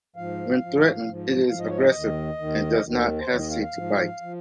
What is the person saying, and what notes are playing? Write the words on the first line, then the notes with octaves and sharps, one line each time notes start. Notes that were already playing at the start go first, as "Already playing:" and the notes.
When threatened, it is aggressive and does not hesitate to bite.
G#2 F3 F5
F3
G#2
G#2 F3
G#2 F3 F5
D#5
C#5
D#5
D#2 D#3
D#2 D#3
D#2 D#3
C5
D#2 D#3 C#5
D#5
F5
F5
G#2 F3
F3